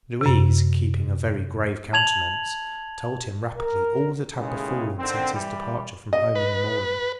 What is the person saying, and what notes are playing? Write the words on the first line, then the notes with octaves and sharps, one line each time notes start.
Louise, keeping a very grave countenance, told him rapidly all that had befallen since his departure from home in the morning.
F#2 C3
A5 G#6 F7 F#7
A#4
D#2 A2 C#3 E3 G#3
D3 D#3 C4
E3 G3
D#5
B4